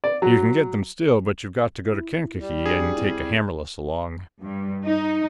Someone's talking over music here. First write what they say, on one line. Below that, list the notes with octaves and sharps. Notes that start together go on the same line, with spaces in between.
You can get them still, but you've got to go to Kankakee and take a hammerless along.
D5
F#3
E4
G3
D4 F#4 G#4
D#2 C4 E4
G2
D#4